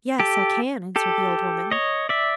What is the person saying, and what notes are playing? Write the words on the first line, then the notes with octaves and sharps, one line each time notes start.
'Yes, I can,' answered the old woman.
G4 A4
G4 A4
C#5 D#5
D5 E5